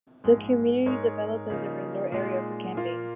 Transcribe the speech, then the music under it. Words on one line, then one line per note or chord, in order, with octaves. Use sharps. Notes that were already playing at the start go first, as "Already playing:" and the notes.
The community developed as a resort area for camping.
A#1 G#2 G#3
G#2 G#3 D#4 A#4 C#5
C#3 F3 A#3 D#4
A#2 G#3 D#4 G#4
A#2 A#3 F4